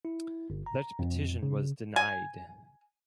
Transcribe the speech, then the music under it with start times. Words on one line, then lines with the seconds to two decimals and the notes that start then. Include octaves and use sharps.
That petition was denied.
0.05 E4
0.50 G1
0.66 A#5
0.99 F2
1.43 C#3
1.96 G#5